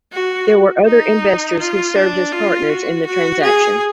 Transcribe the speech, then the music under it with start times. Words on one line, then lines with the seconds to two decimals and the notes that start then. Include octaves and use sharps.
There were other investors who served as partners in the transaction.
0.12 F#4
0.86 D#4
1.59 F4
1.96 D4
2.32 F4
2.69 F#4
3.06 F#4
3.42 G#4